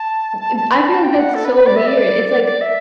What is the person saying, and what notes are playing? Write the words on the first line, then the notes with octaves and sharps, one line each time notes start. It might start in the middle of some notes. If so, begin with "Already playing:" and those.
And I feel like that's so weird. It's like
Already playing: A5
A5
A5
B5
A5
G5
F#5
A4
B4
B4
D5
E5
D5
D5
D5
E5